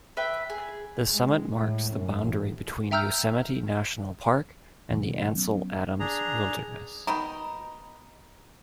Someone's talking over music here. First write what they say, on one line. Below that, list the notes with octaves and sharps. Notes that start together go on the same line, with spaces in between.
The summit marks the boundary between Yosemite National Park and the Ansel Adams Wilderness.
B4 E5 G5
G#4
G#3
A2
F#2
A1
E5 G5 A#5 E6 F6 G6
B2 D#3 F#3 A#3
F#3 B3 C#4
D4 G#4 A#5
B2 D#3 D#4 A#5 B5